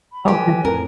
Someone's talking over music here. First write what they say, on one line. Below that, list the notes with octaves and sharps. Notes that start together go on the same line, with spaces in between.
Oh, really?
B5
G4 A4 B4 G#5
F2 A2 A#4